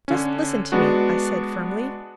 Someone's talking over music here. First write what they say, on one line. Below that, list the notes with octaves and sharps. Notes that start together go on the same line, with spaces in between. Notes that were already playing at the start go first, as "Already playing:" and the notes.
"Just listen to me," I said firmly.
D3 C#4
G#3 B3 D4 F#4